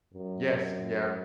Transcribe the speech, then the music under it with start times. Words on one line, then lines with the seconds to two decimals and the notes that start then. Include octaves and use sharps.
Yes, yeah.
0.14 F#2